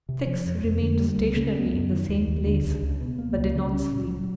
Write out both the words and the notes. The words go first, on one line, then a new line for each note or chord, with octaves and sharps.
Fix remained stationary in the same place, but did not sleep.
C3
F3
F2
F2
D3
G3
C#2
C#3
B3
F#2
D#3
D#2
D#2
D3
C#2
C#2
B2
A#3
C#2
C#3
C#4
A#2
F#3